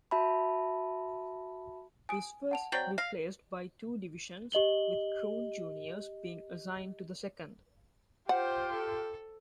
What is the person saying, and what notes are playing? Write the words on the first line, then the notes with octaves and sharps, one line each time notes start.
This was replaced by two Divisions with Troon Juniors being assigned to the Second.
F#4 E5 A5 B5
G#5 D#6 D7
F#5 A5 F7
F#3 C4 D5 G5 A6 F#7
F5 A#6
G4 D#5 F#7 G7
F4 G4 C5 F#5
A4